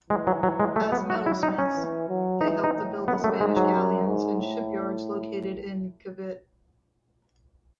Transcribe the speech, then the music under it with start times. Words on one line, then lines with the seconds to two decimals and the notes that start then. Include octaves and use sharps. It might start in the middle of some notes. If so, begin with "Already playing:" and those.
As metalsmiths, they helped to build the Spanish galleons in shipyards located in Cavite.
0.10 E3 G#3
0.27 F#3
0.43 E3 F#3
0.60 G#3
0.76 F#3 A3
0.92 B3
1.10 F#4
1.26 E4
1.43 D#4
1.59 C#4
1.75 E3
2.09 F#3
2.41 E3 D#4
2.64 D#4
2.75 A2
3.07 F#2 B3
3.24 A3
3.40 G#2 G#3
3.57 F#3
3.74 F#2
4.07 G#2
4.39 A2